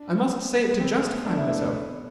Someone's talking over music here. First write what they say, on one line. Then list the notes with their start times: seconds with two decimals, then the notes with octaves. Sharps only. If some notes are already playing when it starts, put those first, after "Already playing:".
I must say it to justify myself.
Already playing: D4
0.69 B3
0.80 C4
0.98 A3
1.02 B3
1.25 D4
1.37 E4
1.49 A3
1.59 B3